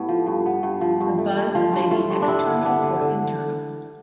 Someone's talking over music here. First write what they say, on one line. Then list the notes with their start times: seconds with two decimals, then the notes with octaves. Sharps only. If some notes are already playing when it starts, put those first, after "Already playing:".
The buds may be external or internal.
Already playing: A2 B3 G4
0.09 F3
0.26 G2
0.46 B3
0.63 G2
0.81 F3
1.01 G2
1.18 A3
1.36 G2
1.55 F3 F4
1.73 G2
1.91 A3 F4
2.10 G2
2.22 D4
2.28 G3 E4
2.47 D3
2.65 B3 D4
2.83 D3
3.01 D3